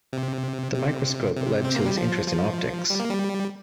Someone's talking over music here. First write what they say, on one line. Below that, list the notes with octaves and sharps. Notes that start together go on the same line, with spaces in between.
The microscope led to his interest in optics.
C3
C3
C3
C4
A#3
G3
F3
F3
G3
A#3
G3